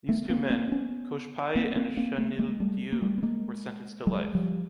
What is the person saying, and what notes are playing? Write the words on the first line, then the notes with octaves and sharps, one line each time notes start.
These two men, Cochepaille and Chenildieu, were sentenced to life.
A3 B3
A#3 C4
A#3 C4
C4
B3 C#4
A#3 C4
A#3 C4
A#3 C4
A3 B3
G#3 A#3
G3 A3
A#3
G3 A3
B3
G#3 A#3
F#3 G#3
F3 G3